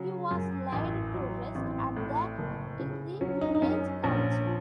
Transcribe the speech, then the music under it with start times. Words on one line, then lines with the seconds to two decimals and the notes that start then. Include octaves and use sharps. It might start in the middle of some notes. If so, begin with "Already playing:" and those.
He was laid to rest at the Edhi Village Karachi.
Already playing: C#3 F#3
0.31 F#2
0.72 A1
1.14 F#3
1.55 A1 C4
1.97 A2
2.38 F#1
2.80 C#3
3.21 F#3 C#4
3.41 D#4
3.55 D#4
3.62 F#2 C#4
4.04 A#1 C#4
4.45 F3